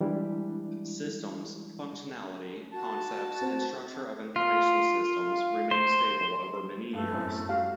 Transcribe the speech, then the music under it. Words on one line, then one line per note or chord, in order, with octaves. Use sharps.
Systems, functionality, concepts and structure of information systems remain stable over many years.
E3 G3 G#3 D4 E4
F#4 A5
C4
F4
C5
G2 A3 B3
F#2 A2 C4
G3 F#4 F5